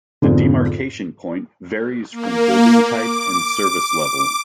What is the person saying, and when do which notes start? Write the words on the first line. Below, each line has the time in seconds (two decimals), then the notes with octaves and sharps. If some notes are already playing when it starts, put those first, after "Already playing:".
The demarcation point varies from building type and service level.
0.22 F2 G#2 B2 D3
2.12 A#3
2.83 D6